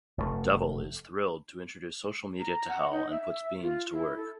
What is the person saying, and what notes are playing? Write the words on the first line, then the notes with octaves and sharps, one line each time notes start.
Devil is thrilled to introduce social media to Hell and puts Beans to work.
F1 F#2 A2 A3
A#5
F#5
D#4
E5
F4
E4
A4